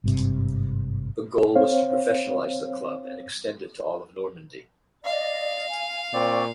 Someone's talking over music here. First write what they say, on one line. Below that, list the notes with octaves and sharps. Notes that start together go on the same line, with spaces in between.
The goal was to professionalize the club and extend it to all of Normandy.
G#1 G2 C3
C4 C5 C#5 F5
D5 D#5 F5
G#5
A#2 C4 D5 C#6